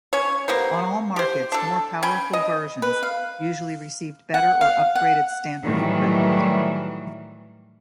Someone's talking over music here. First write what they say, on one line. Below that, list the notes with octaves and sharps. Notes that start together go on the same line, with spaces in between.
On all markets more powerful versions usually received better or upgraded standard equipment.
C#4 C#5
G3 A#3 B3 C5
G4 C5
D4 A4
C#4 G5 B5
D#5
B4
F5
F#5
F5
F#5
A2 D#3 E3 F#3 G3